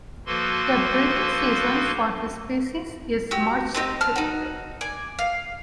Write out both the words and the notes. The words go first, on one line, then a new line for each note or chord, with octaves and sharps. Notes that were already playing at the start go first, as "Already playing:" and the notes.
The breeding season for the species is March-April.
F3 A#3 F#4 A4 B4 C6
F#4 G4 E6
C4 D#4 F4 G4
A5 F6
D#4 F#4
D5 G#5
F5